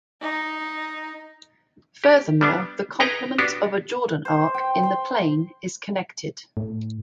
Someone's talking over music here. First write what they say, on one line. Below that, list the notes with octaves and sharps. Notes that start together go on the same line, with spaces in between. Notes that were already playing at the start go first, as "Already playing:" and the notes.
Furthermore, the complement of a Jordan arc in the plane is connected.
D#4
G4
G3 B3 D4
D#4 G#4 B4 G5 A#5
B3 D4 F#4 G4
C5
G5
C6
A2